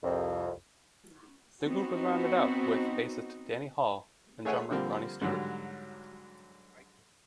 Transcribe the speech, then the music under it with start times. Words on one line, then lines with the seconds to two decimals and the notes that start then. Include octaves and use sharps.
The group was rounded out with bassist Danny Hull and drummer Ronnie Stewart.
0.03 C2 F2
1.62 B3 C4 D#4 F#4
4.45 A3 G#4 C#5 E5 F#5 G#5
4.71 D3 F3 G3 A#3 C4
5.21 G#2 D3 F#3 G3